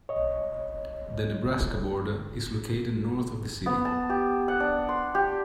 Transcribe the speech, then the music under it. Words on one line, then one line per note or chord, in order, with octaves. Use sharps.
The Nebraska border is located north of the city.
C#5 D#5
B3
A5
G4
F#5
D4
C6
G4